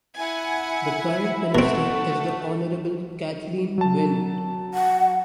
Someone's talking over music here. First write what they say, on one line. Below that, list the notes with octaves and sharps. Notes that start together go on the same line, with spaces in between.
The current Minister is the Honourable Kathleen Wynne.
E4 F#5 G#5
B2 A3 C4 F#4
F#3 A5
F#5